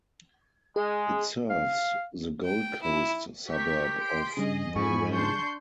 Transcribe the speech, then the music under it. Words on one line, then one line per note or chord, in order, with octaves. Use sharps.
It serves the Gold Coast suburb of Nerang.
G#3 G#4
F5
G5
E4
G4 A#4 C#6 B6
C6 B6 D7
G2 C#3 G#4 D#5
G#2 F3 G#4 G#5 B5 C#6
D4 C6 C#6 G6